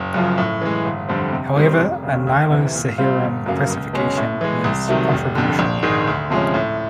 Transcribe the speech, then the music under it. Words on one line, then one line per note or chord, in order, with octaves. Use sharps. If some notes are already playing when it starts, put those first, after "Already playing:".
However, a Nilo-Saharan classification is controversial.
Already playing: F#1
F#2 C#3 F3
A2
E3 G#3
G1
F2 D3 G3 C4
C3
D#3 G3 C4
F1
D#2 C#3
D2
C3 E3
A#2
G3 C4 F4
G1
F#2 C#3 F#3 A#3
C#2
B2 G#3 C#4
A2
E3 G#3
C2
C3 D#3 F#3 A3
F1
F2 D3
A#1
G#2 D#3 G#3
D2
C3 F3 G#3 C#4
A2